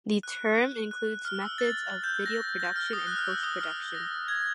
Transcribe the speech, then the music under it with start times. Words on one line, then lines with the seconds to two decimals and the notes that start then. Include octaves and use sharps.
The term includes methods of video production and post-production.
0.23 F#6
0.91 F#6
1.25 F6
1.42 E6
1.58 A6
2.04 G6
2.26 A#6
2.60 A#6
2.76 F6
2.93 D#6
3.07 F#6
3.17 F6
3.27 E6
3.43 D#6
3.61 F6
3.95 A#6
4.28 G#6